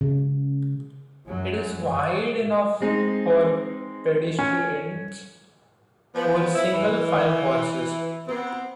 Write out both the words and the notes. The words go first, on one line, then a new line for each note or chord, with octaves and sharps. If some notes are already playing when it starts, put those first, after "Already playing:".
It is wide enough for pedestrians or single file horses.
C#3
F#2 F#3
G#3 C4 D#4
C#4
F3 B3
E4
E3
B3 C4